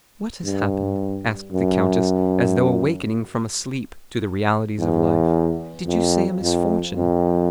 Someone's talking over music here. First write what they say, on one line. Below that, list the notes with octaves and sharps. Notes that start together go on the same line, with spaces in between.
What has happened?" asked the countess, as though awakening from a sleep to the realities of life; "did you say a misfortune?
G2
F#2
E2
F2
F2
F2